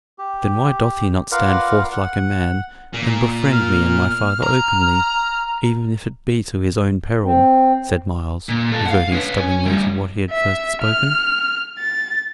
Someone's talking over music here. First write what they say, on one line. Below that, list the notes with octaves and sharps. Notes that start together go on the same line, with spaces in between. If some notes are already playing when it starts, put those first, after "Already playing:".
"Then why doth he not stand forth like a man and befriend me and my father openly, even if it be to his own peril?" said Myles, reverting stubbornly to what he had first spoken.
G4
F4 A#4 B4 D5 F5 F#5
F#5
A#2
F6
A#5
C4
A#2
F4 A4
F5 F#5
C#4 B4
C#4
E3 G3
E5
F6
A6